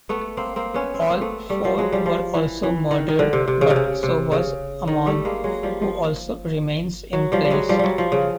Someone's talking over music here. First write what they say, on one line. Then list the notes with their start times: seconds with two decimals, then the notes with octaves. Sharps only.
All four were also murdered, but so was Amon, who also remains in place.
0.09 A3 B3
0.37 A#3 C4
0.56 A#3 C4
0.74 B3 C#4
0.94 C4
1.01 B3
1.10 A#3 C4
1.21 A3 B3
1.49 G3 A3
1.64 F3 G3
1.78 F#3 G#3
1.92 F3 G3
2.06 F3
2.34 E3
2.63 E3
2.91 D#3
3.09 D#3
3.19 D3
3.33 C3
3.48 C3
3.61 C#3
3.70 C3
3.76 C#3
4.03 C3
4.32 C#3
4.88 D#3
5.06 G3 A3
5.25 G#3 A#3
5.44 F#3 G#3
5.63 F3 G3
5.82 F3
7.13 F#3
7.32 F3 G3
7.45 G3
7.51 F#3 G#3
7.69 F3 G3
7.79 F#3 G3
7.98 F3
8.12 C#3